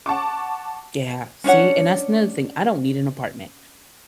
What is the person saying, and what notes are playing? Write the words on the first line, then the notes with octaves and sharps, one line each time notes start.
Yeah. See, and that's another thing. I don't need an apartment.
F#5 A5 C#6 D6
C#4 D4 C#5 F#5